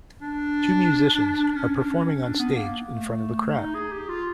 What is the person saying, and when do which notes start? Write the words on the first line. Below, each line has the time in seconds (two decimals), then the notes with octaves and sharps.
Two musicians are performing on stage in front of a crowd.
0.22 D4
1.55 C#4
1.79 D4
1.89 C#4
2.23 D4
2.39 B3
2.56 A#3
2.90 A3
3.58 D#4
3.75 G#4
3.92 G4
4.09 F4